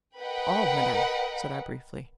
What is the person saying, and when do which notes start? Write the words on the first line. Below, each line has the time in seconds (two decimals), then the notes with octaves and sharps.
"All, madame," said I, briefly.
0.20 A#4 B4 D#5 F#5 G5 B5